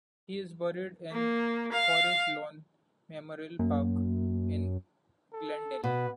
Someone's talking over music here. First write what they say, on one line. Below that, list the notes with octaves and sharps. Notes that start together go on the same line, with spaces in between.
He is buried in Forest Lawn Memorial Park in Glendale.
A#3
F5
F#2 A#3
A4
B2 B4